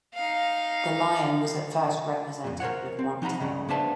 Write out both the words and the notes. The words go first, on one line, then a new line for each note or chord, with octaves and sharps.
The lion was at first represented with one tail.
D#4 F5
F2 A#2
A#4 C5 C#5 F#5
C4
F3 D#4 F#5 A#5 B5
C#2 G2 C#3
A#3 B3 D4 C5 E5 A5